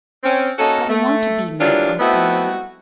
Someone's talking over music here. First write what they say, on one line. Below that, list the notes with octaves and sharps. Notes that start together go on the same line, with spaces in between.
I don't want to be Mag of the Alley.
C4 C#4
A#3 C#4 D#4 F#4 A4
A3
E3 F#3 G3 A#3 D4 F4
A3 B3 C4 D#4 E4 F#4